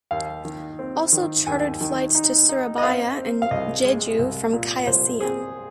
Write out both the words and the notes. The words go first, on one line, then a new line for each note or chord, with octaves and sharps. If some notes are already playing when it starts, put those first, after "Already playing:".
Also chartered flights to Surabaya and Jeju from Kaohsiung.
D#2 F5
D#3
C4
D#3
D#2 G#5
D#3
D#4
D#4
D#5
C4 F5
C4
F5
C2 D#5
G#3
C2
A#2
C2 C5
C4 G#4